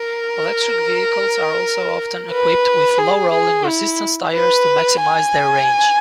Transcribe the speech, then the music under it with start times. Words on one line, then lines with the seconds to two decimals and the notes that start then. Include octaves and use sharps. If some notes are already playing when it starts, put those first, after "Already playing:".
Electric vehicles are also often equipped with low-rolling resistance tires to maximize their range.
Already playing: A#4
2.32 B4
2.98 G#4
3.31 G#4
3.66 E4
4.33 B4
5.01 G#5